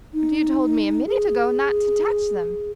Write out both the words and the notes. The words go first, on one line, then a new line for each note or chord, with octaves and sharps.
"But you told me, a minute ago, not to touch them."
D#4
G#4